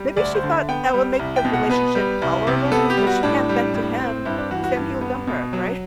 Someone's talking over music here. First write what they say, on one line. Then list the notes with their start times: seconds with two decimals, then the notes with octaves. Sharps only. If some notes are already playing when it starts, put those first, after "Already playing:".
Maybe she thought that would make the relationship tolerable because she can't vent to him, 'cause then he'll dump her, right?
Already playing: G3
0.16 D2 D5
0.35 C5
0.43 D3
0.51 E5
0.69 B3 G5
0.94 G3
1.19 C2
1.36 G5
1.45 B2
1.53 F#5
1.70 B3 B4
1.95 G3
2.22 C2
2.47 C3
2.72 B3 A4
2.90 G4
2.97 G3
3.07 F#4
3.23 A2 D4
3.49 G3
3.74 A2
4.00 C4
4.25 G2 E4
4.38 D4
4.51 E3 F#4
4.64 F#4
4.76 G2
5.01 B3
5.27 B2
5.53 F#3